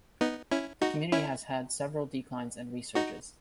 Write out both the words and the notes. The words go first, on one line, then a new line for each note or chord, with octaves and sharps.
The community has had several declines and resurges.
B3 D#4
C#4 E4
D#4 F#4
C#4 E4
D#4 F#4